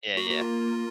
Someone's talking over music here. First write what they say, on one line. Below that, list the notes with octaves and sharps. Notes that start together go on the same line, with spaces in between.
Yeah, yeah.
A#3 F#4
F#4
F4